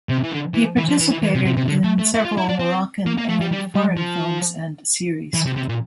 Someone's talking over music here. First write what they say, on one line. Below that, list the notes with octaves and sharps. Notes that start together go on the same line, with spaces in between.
He participated in several Moroccan and foreign films and series.
C3
E3
D3
E3
E3
F3
E3
E3
E3
C3
C3
C3
D3
A3
A3
E4
F4
E4
D4
C4
A#3
A#3
A3
G3
G3
G3
F3
E3
C3
C3
A#2